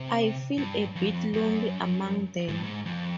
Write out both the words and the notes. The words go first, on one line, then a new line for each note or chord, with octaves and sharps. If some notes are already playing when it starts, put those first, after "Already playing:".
I feel a bit lonely among them.
Already playing: C3
G2
F2
F#2
G#2
G2
G#2
F2